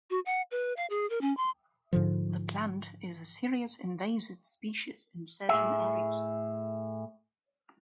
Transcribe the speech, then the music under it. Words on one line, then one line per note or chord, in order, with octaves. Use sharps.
The plant is a serious invasive species in certain areas.
F#4
F#5
B4
F5
G#4
A#4
C#4
C6
G#2 D3 F3
A2 G#4 E5